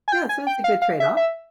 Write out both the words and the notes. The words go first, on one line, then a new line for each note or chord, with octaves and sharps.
Yeah, so it's a good trade-off.
G#5
G5
G#5
G5
F5
F5
E5
E5